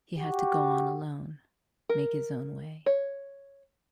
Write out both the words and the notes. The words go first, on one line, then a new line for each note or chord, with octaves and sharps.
He had to go on alone, make his own way.
F#4 G4
A#4
C#5